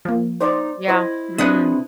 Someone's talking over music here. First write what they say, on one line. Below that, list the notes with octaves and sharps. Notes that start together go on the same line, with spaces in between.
Yeah. Mm.
F3 A#3
D#4 C5 D5
E4 C5 D#5
C3 D4 B4 F#5 D#6